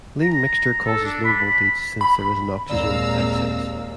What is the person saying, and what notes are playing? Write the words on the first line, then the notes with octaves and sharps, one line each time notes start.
Lean mixture causes low voltage, since there is an oxygen excess.
A#5
A4
D4
B5
B5
D#2 A#2 G#3 C4 D5 F5 A#5 E6